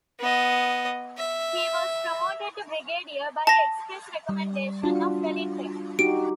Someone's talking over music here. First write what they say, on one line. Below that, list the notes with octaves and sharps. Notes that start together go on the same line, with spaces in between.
He was promoted to Brigadier by express recommendation of Wellington.
B3 D#5
E5
A5 A#6
G3
D4 F4 F#4
D#4 F#4 G4 D7